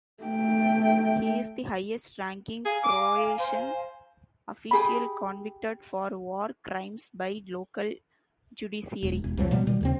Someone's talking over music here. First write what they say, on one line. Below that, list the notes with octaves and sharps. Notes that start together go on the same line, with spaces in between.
He is the highest ranking Croatian official convicted for war crimes by local judiciary.
A3 G5
G#4 F5 G#5 A#5
D6
C5
G4 G#4 B5
E1
E1
C2 F2 F3 F#3
B2 F#3 G3 B3
B2 D#3 G3
D#2 C#3 C4